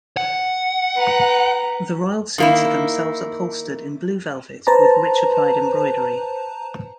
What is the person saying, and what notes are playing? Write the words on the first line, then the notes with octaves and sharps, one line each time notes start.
The royal seats are themselves upholstered in blue velvet with rich applied embroidery.
F#5
B4 A#5
D#3 A#3 E4
B4 C5 A5 A#5